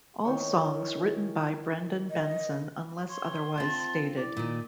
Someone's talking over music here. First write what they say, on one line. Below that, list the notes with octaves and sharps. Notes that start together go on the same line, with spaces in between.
All songs written by Brendan Benson unless otherwise stated.
D#3 E3 C#5
D#5
C#5 C6
C4 F4 A5
E4 D5
A#2 D#3